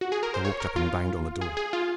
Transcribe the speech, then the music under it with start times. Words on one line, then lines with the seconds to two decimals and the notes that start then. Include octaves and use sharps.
I walked up and banged on the door.
0.01 F#4
0.12 G#4
0.23 A#4
0.34 C5
0.45 C#5
0.60 A#4
0.76 F4
1.41 G#4
1.57 G#4
1.73 F4